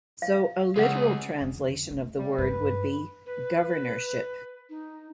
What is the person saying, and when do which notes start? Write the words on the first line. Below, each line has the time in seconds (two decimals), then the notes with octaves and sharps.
So a literal translation of the word would be "governorship".
0.22 F5
0.76 C#3 G#3 G#4 F#5
1.40 F2 D3
1.91 A3
2.18 G3
2.38 G2 B4
3.26 B4
4.70 D#4